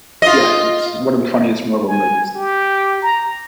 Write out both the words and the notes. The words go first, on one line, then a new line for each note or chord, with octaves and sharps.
Yes, it's one of the funniest Marvel movies.
F4 D#5
G#5
G4
A#5